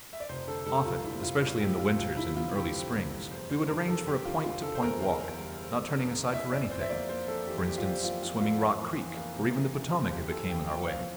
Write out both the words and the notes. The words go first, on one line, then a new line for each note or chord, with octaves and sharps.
Often, especially in the winters and early springs, we would arrange for a point to point walk, not turning aside for anything--for instance, swimming Rock Creek or even the Potomac if it came in our way.
E5
D5
F1 C5
D3 A4
G3 A4
F1 F4
G3 E4
F1 F4
G3 F4
F4
F2 G4
F2 F4
F1 F4
G3 E4
E4
D3 F4
D3 G4
F2
F1
G3
E2 C5
D3 C5
G3 A#4
E2 A4
D3 G4
D3 F4
D3 F4
D3 A4
C5
E2 A#4
E2
E2
G3
E2
G3
D3
E2
D5
E3 E5
F2 D5
F2 C5
E5
A#3 D5
A#3 C5
F2 A4
E3 G4
F2 G4
F4
F2 G4
A#3 F4
F2 F4
A#3 F4
F2
E3
E3
A#3
C3
E3
C3
F2
C3 G4
E3 A4
A#3 G5
F2 G5
F2 F5